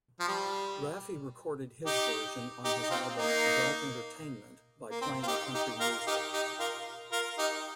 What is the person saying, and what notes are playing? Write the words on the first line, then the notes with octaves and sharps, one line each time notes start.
Raffi recorded his version on his album "Adult Entertainment" by playing country music.
F3
G3
D#4 G4
D#4 G4
D#4
C4 F4
A#3 D#4
A#3
C4
F4
D#4 G4
D#4 G4
F4 A#4
D#4 G4
D#4 G4
F4 A#4
F4 A#4
D#4 G4